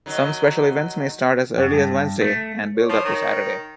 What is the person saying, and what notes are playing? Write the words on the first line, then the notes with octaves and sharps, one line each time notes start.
Some special events may start as early as Wednesday and build up to Saturday.
D#3 F#3
F#2
G2
A3
C#5
F3
D#3